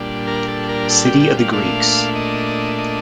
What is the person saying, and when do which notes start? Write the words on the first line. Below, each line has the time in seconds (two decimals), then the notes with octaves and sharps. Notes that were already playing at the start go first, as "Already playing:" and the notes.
"City of the Greeks".
Already playing: A#2 G3 D4
0.27 A#4
0.48 A4
0.69 A#4
0.90 A4
1.05 G4
1.21 G4
1.37 F5
1.52 A#2 A3 D4 F5
2.15 D#5
2.79 D#5